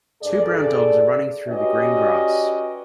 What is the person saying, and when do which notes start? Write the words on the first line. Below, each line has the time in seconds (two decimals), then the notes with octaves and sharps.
Two brown dogs are running through the green grass.
0.22 G2 G#4 A4 D5
1.48 C#4 F#4 G4 B4 D5 D#5